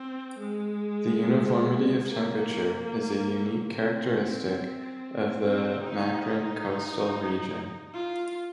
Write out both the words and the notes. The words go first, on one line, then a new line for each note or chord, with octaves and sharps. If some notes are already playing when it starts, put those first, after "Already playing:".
The uniformity of temperature is a unique characteristic of the Makran Coastal region.
Already playing: C4
G#3
A#3
C4
C4
D#4
D#4
F4